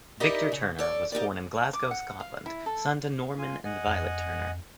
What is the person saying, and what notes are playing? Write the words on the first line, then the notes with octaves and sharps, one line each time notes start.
Victor Turner was born in Glasgow, Scotland, son to Norman and Violet Turner.
D#4 E4 G4 A#4 D5 D#5
C#3
A4 C#5 D5
D#4 G4 A#4 D5
D6
F#5
F5
E4
A4
F4 G#5
D#5 F#5 G#5
F2